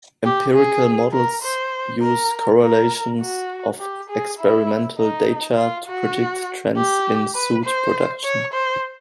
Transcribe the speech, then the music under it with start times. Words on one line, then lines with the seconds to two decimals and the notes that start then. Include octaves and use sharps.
Empirical models use correlations of experimental data to predict trends in soot production.
0.24 G4
0.54 G#4
1.13 A#4
1.42 C5
2.02 A#4
2.61 A#4
3.20 F#4
3.80 G4
4.09 G#4
4.39 E4
4.98 D#4
5.57 F4
5.87 F#4
6.76 G4
7.35 B4
7.64 C5
8.24 C#5
8.53 C5